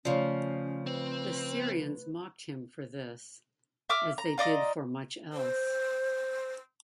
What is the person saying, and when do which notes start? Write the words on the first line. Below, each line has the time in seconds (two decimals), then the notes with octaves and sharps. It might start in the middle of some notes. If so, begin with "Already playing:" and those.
The Syrians mocked him for this, as they did for much else.
0.05 C#3 F3 A3 C#4 C#5 D5
0.87 C4 B4
3.90 E5 D6 F6
4.18 A#5
4.38 F4 D5 D#5 A#5
5.33 C5